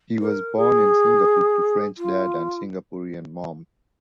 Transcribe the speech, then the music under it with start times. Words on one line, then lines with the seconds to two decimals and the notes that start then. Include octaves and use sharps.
He was born in Singapore to French dad and Singaporean mom.
0.20 A#4
0.56 G#4
1.97 F4